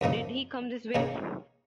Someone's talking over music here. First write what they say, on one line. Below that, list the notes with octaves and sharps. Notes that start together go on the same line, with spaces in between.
Did he come this way?
F#2 C#3 F3 A#3 D#4
D#3 A#3 C#4 G#4